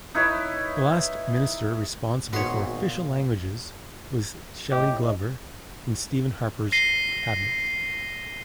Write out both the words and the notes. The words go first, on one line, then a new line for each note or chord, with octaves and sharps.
The last Minister responsible for Official Languages was Shelly Glover in Stephen Harper's Cabinet.
D#4 E4 B4 C#5
G#1 A#2 B3 F#4 C#5 C6
A2 G4 D#5
A#6 C7 D#7 G7